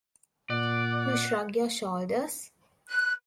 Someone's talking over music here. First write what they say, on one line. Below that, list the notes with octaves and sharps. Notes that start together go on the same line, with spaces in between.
You shrug your shoulders?
A#2 D5 F#5
F#6